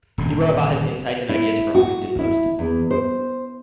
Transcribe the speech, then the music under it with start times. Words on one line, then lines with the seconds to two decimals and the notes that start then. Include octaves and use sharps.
He wrote about his insights and ideas for Huffington Post.
0.18 D#1 G2 D3
1.29 E4
1.75 F#4
2.19 E4
2.59 E2
2.91 C5